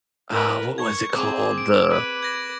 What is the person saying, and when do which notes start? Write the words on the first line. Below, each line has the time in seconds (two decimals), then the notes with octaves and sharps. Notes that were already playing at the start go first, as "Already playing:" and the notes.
Uh, what was it called? The
0.32 A#4 B4
0.78 C#6 G#6
1.15 C4 G#4 D6
1.58 D7
1.90 B4
2.23 G#6 A#6